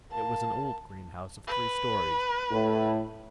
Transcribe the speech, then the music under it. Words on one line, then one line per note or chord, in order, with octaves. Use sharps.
It was an old green house of three storeys.
A#3 A5
B4
A2